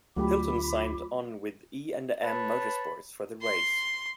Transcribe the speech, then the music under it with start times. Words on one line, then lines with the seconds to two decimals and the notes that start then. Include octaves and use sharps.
Hylton signed on with E and M Motorsports for the race.
0.16 D2 F#3 A3 F4 G4 B5 D6
2.22 B4 C#5 A5 B5
3.42 C6